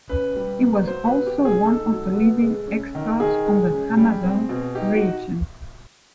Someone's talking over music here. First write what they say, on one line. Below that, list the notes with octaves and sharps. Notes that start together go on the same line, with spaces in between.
He was also one of the leading experts on the Amazon region.
C#4 B4
G3
A#3
F#3 C5
B4
B3
G4
C#3
G#4
D#4 A4
F#3
B3
G#3
C#4
D#3
D#3 G#4
G#3
C#4
G3
C4
B2
D#4 G4
F#4